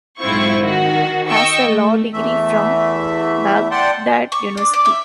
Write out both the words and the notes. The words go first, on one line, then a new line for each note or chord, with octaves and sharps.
Has a law degree from Baghdad University.
B1 G#2 C4 E4 F4 C#6
D#3 F#4
D#5 G5 C#6 E6
A3
E2 E3 A3 E5
D5 F#5 G5 A5 C6
C#6
D4
D5
E5